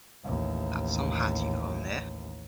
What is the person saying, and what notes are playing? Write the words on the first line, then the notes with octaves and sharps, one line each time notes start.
That's some hat you got on there.
A1 D#2